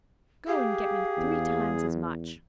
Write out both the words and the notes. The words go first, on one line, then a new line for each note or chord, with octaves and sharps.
Go and get me three times as much!'
G4 G#4 F5
E2